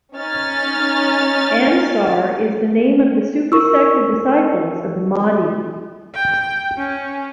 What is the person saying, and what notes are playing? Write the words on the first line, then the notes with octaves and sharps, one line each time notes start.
Ansar is the name of the Sufi sect of disciples of the Mahdi.
C#4 D#4 F6 A6
A#4 C#6 E6
G5
C#4